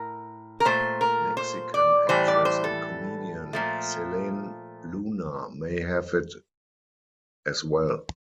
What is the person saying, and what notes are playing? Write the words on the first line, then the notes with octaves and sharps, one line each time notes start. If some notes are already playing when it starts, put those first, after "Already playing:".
Mexican actress and comedian Selene Luna may have it as well.
Already playing: A2 A#4
A#4
A#2 A3 C5
A#4
C5
D5
A2 E3 G3 C5
D5
C5
A4
A#2 F3 A3